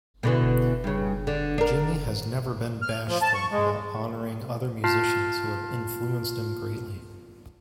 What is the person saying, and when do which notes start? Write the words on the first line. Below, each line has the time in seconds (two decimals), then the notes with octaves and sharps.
Jimmy has never been bashful about honoring other musicians who have influenced him greatly.
0.23 B2 D3 E3
0.84 G2 C#3
1.27 D3 D4
1.58 D4 A#4
2.82 F6
3.09 F3
3.22 A5
3.34 C#6
3.52 G#3
4.84 F4 A5 F6 C7